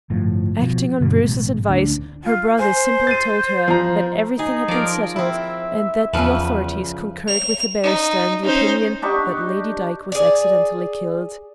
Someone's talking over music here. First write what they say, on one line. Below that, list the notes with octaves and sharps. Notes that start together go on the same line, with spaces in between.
Acting on Bruce's advice her brother simply told her that everything had been settled, and that the authorities concurred with the barrister in the opinion that Lady Dyke was accidently killed.
G1 A2 F3
B2 F3
G2 B2 D3 F#3
A1 G#2 B2 G#3
D2 C#4 D4
F4
C5 G#5
A6 D#7
F3 A#5
D#4 G#4
F3 A#4 D5
C4 E4 E5
E2 C#3 F3 B4
F7
D#4
C#4 D#4 C5
D4 D#4 G4 C#6
G#4 D5